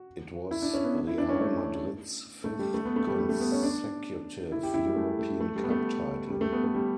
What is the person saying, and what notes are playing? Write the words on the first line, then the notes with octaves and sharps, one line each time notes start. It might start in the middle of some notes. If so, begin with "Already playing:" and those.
It was Real Madrid's fifth consecutive European Cup title.
Already playing: F#4
E4
D4
C#4
B3
E4
D4
C#4
A3
A3
G3
A3
B3
A3
G3
A3
A3
B3
C#4
D4
E4
G4
E4
G3
A3
A3
A3
G3
B3
A3
G3
A3
B3
A3
G3